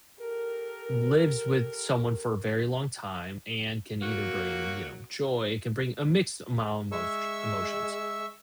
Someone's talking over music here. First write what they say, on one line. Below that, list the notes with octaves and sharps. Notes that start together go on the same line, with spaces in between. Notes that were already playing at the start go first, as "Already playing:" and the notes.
lives with someone for a very long time and can either bring, you know, joy it can bring a mixed amount of sh emotions.
G4 A4 A#4
F#3 A#3 F#4
G#3 E5 C#6 E6